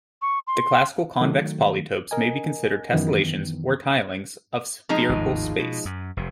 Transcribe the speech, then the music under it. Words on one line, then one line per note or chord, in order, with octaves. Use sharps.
The classical convex polytopes may be considered tessellations, or tilings, of spherical space.
C#6
C6
D#3 F#3 A3
A#4 D#5 G#5
F#2 D#3 E3 B3
F3 G#3 D#4
G#1 D#2 A2
B2
F#2
F1 C3